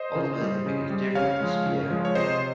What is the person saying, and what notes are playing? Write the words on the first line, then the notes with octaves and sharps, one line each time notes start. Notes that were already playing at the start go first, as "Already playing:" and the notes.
ultimately, the biggest difference. Yeah,
Already playing: C5 D#5
C#3
G3
C#3
G3
C#3 C#5 F5
F3 G#3
C#3
F3 G#3
C#5
C3 C5 D#5